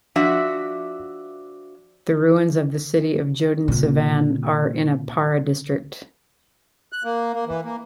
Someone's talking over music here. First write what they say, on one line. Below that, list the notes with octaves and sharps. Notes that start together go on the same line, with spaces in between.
The ruins of the city of Jodensavanne are in Para district.
F3 D4 F#4 E5
A#2 C#3
F#6
A#3
A#3
E3
A#3